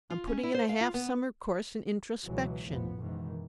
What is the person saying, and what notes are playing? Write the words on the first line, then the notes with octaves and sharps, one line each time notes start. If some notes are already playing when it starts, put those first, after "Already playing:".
I'm putting in a half summer course in Introspection.
F4
C#4
E4
C5
F5
F4
B3
C#2 B2 E3 F#3 G#3
F1 A#1 A2 F3 B3
F#1 G#2 B2 D#3 E3